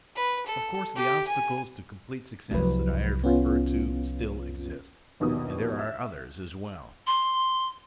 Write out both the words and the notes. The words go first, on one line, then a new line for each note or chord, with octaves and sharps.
Of course the obstacles to complete success that I have referred to still exist, and there are others as well.
B4
A4
G4
G#5
C2 F3 F#3 B4
B3 C#4 F4
A#1 D#2 B2 D#6
E5
C6